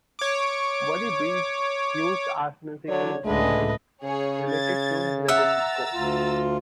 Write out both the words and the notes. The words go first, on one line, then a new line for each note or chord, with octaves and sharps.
Worry beads used as musical instrument, related to rebetiko.
C#5 D6
D3 F#3 C#5 D5
C#2 A2 D3 G#3 A3 B4 D#5
C#3 G#4 C#5
G#6 A6
E5 F#5 A#5 E6 A6
D2 F4